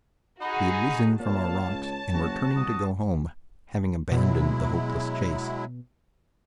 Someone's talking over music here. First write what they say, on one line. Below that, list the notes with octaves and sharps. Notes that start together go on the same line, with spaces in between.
We had risen from our rocks and were turning to go home, having abandoned the hopeless chase.
D#4 F#4 G#4 B5
A#2 C#5 F5 A5
C#2
F#1 F#4
C2 D#6
B2 F#3 G#3 E4